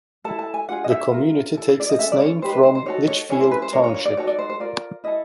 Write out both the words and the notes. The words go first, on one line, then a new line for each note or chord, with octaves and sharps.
The community takes its name from Litchfield Township.
E4 A4 A5
A5
G#5
D4 F4 G#4 F#5
D#5
E5
F4 A#4
E4 A4
D5
D#5
C#4 F#4 A4 E5
D5
C#5
D#4 G4 B4 C5
B4
C5
C5
D#4 F#4 A4 C#5
C#5
C#4 E4 G#4 C#5
C5
B4
C5
D4 F4 A#4 C#5
C#5
C#5
D5
D#4 F#4 A4 C#5
D5
C5
C5
F4 A#4 D5
E4 A4 D#5